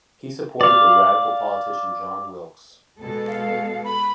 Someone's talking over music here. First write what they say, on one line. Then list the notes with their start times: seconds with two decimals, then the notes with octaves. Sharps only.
He supported the radical politician John Wilkes.
0.61 D5 F5
2.98 B2 G#3 A4
3.28 F5
3.84 B5